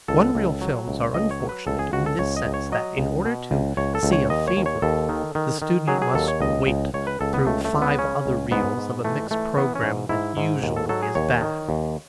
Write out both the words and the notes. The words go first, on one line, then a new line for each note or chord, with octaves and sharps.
One-reel films are unfortunate in this sense that in order to see a favorite the student must wait through five other reels of a mixed programme that usually is bad.
C#2 A4
C#2
F#3
C#2
C#2 D#5
C#5
F#3
B4
C#2 A4
G#4
C#2 F#4
A4
C#2 C#5
D#5
C#2
C#5
F#3 D#5
C#2
B2
C#2
C#2 C#5
A4
C#2
C#5
D#2 D#5
C#5
D#2
C#5
D#2 A4
D#3
D#3
D#3
F#3 G#4
G#4
D#2 A4
C#5
C#2 D#5
C#2
C#2 C#5
B4
C#2 A4
B3
C#2 A3
A3
C#2
B3
C#3 C#4
C#2
G#2 B3
G#2
E3 A3
E3 A3
E3 B3
C#4
G#2
G#2 E4
G#2
D#2
A4
F#3 A4
G#4
D#2 C#5
D#3
D#2